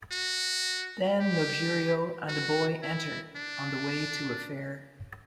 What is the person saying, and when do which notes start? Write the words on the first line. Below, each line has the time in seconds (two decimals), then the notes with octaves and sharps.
Then Luxurio and a boy enter, on the way to a fair.
0.12 F#4
1.20 G4
2.28 F#4
2.82 E4
3.36 D4